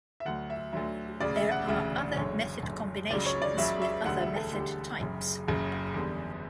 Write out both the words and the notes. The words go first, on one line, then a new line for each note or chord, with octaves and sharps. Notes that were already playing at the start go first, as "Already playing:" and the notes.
There are other Method-Combinations with other method types.
E5
D2 D3 F#3 F#5
E5
D2 D3 F#3 E5
E1 D2 C#3 D5
E5
F#5
E1 D2 C#3 E5
F#1 F#2 D3 C#5
F#1 F#2 D3
C#2 C#3 F#3 D5
C#5
D5
C#2 C#3 F#3 E5
E5
E1 D2 D3 G3 F#5
E5
A4
E1 D2 D3 G3 G4
F#1 F#2 C#3
F#1 F#2 C#3
E2 D3 G3